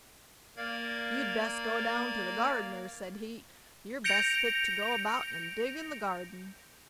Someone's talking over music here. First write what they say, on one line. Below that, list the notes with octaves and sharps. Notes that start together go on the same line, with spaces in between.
'You'd best go down to the gardener', said he; 'you're best fit to go about and dig in the garden.'
A#3 A#4 D5 F5 G#6
G6 A#6 C#7 D7 F7